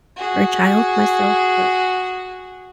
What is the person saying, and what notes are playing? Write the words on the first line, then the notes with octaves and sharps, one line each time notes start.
or a child myself, but
F#4 G#4